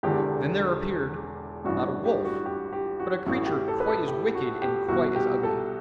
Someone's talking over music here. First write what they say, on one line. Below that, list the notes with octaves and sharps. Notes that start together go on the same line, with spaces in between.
Then there appeared, not a wolf, but a creature quite as wicked and quite as ugly.
E1 E2 D3 G4
A1 G2 E3 F#4
F#4
G4
F#4
G4
G4
F#4
A1 A2 E3 F#4
G4
A4
B4
A4
G4
F#4
G4
C2 B2 F#4
G4
A4